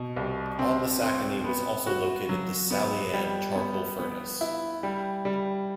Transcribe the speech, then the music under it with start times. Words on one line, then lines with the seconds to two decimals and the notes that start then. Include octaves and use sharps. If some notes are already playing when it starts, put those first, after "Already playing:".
On the Sacony was also located the "Sally Ann" charcoal furnace.
Already playing: B2
0.17 C2
0.59 C4
1.02 C4
1.44 B3
1.87 F#4
2.29 F#3
2.71 B3
3.13 G3
3.55 B3
3.99 B3
4.41 E4
4.83 G3
5.25 G3